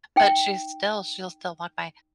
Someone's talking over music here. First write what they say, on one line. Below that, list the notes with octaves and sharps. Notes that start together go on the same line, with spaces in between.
But she's still she'll still walk by,
D#4 G5